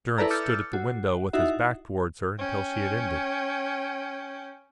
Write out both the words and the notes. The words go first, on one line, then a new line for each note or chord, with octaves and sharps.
Durrance stood at the window with his back towards her until she had ended.
E4 A4 B4 D5 A#5
D6 E6 F6 G6 A6 C#7
F#4
D#4 E4 F#4 E5
C#4 G5